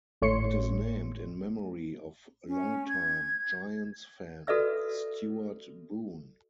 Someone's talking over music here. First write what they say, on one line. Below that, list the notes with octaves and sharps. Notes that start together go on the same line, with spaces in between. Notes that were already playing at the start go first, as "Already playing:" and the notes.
It is named in memory of long time Giants fan Stewart Boone.
G#1 A2 A3 C#5 C6 C#7
C#4
G#6
F#4 A4 B4 D5 E5 E6